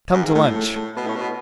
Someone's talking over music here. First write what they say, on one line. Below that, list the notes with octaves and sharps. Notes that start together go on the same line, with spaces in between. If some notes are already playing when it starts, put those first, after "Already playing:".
"Come to lunch."
F#2
G#2
A2 A3
A3
A3
B2 B3
A2 C#4
B2 B3